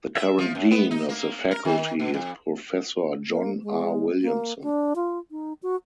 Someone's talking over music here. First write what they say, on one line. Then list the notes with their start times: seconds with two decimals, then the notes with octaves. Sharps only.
The current Dean of the Faculty is Professor John R. Williamson.
0.15 E5
0.39 F3
0.55 F#2
0.71 B3
0.91 D#4
1.09 A#3
1.51 A#4
1.65 D#3
2.00 B2
2.14 F2
3.29 A#3
3.63 G#3
4.22 A#3
4.62 D4
4.96 F4
5.31 D#4
5.63 F#4